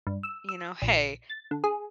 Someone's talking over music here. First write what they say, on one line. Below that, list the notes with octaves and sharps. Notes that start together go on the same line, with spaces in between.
you know, "Hey,
G2
E6
E6
A#1
A6
D3
G#4